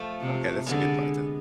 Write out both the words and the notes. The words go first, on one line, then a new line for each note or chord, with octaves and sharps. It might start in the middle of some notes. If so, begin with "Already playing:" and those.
Okay, that's a good part then,
Already playing: F3 A3
C3
D3 G#3 B3